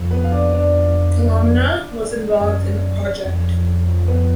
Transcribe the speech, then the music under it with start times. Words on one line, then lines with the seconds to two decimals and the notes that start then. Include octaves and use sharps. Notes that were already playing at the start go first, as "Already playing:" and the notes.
Columna was involved in the project.
Already playing: F2
0.11 B3 B4
0.24 F5
0.32 D4 D5
0.53 D4 D5
2.41 F#2 C#4 C#5
3.25 F2
4.08 B3 B4